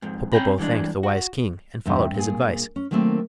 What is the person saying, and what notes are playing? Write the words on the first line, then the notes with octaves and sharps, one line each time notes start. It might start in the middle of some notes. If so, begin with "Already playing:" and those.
Popopo thanked the wise king and followed his advice.
F2 G#2
C4 C#4 G5 G#5 A#5 B5
G2 E3 G#3 D4
F#4
E2 G2 C3
A#2 G#4
C#4
D#3 F#3 A3 A#3 C4